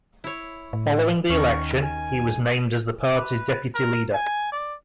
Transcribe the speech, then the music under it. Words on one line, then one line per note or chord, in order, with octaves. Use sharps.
Following the election, he was named as the party's Deputy Leader.
E4 C#5
A2
D#2 D#3 C#4 C#6
G#5
B4
A#4
G#5
D5